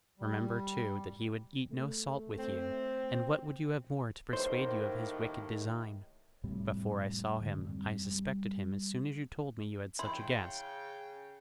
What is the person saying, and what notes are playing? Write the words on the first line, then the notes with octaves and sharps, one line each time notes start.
Remember, too, that he would eat no salt with you; and what would you have more to persuade you of his wicked design? Before I saw him, I suspected him as soon as you told me you had such a guest.
G3
A3
C4
D#2 A2 D#3 C5
F2 A2 C3 G3
D1 D3 G#3
F#2 G3 C4
G3
C#3 E4 G5 C6